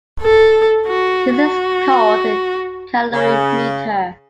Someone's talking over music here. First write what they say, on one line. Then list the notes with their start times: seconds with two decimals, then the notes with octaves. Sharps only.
This is called a calorimeter.
0.22 A4
0.87 F#4
1.35 F#4
3.11 C#3